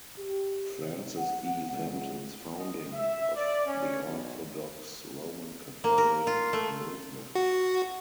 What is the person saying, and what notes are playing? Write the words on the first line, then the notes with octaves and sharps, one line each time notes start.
Francis E. Fenton's founding of the Orthodox Roman Catholic Movement.
G4
C3
F#5
C#2
D#5
E5
D5
C#4
B1
A#3
A#4
F4
A3
F#4